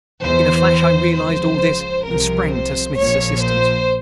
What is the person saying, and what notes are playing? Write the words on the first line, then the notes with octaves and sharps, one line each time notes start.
In a flash I realized all this and sprang to Smith's assistance.
E2 E3 C5
C#2 C#3 F3 C5
C2 C3 F3 A#4
C5
A#1 A#2 F3 C#5
C5